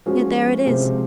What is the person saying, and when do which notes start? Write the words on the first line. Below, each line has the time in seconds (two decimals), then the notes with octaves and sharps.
Yet there it is.'
0.06 F3 G#3 C#4 F#4
0.66 C3 F3 G#3 C4